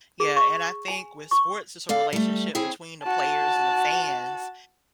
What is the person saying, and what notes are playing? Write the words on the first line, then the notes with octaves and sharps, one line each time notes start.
Yeah, and I think with sports, it's a relationship between the players and the fans,
G#4
C#6
G#5
C#6
A4 D5 F5
G3 A3
C4 E4 G#4 C#5
F#4 A5